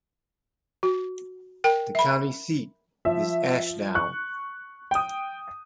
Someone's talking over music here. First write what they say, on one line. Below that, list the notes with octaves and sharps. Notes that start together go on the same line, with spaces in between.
The county seat is Ashdown.
F#4
A#4 G5
E5 B5
F3 E5
C#6 F#6
G5 D#6